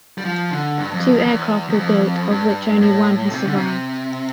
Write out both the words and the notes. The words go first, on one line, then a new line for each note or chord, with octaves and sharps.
Two aircraft were built, of which only one has survived.
G3
F3
D3
G2
F2
E2
F2
E2
E2
F2
G2
A2
C3
D3
C3